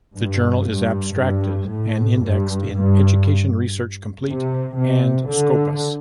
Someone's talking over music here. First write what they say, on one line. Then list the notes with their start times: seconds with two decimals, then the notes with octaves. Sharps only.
The journal is abstracted and indexed in Education Research Complete and Scopus.
0.15 G2
0.68 G2
1.18 G2
1.69 A2
2.21 G2
2.72 G2
4.27 C3
4.78 C3
5.29 D3